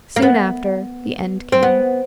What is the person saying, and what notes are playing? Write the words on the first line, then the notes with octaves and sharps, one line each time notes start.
Soon after, the end came.
A#3
B3
C4
B3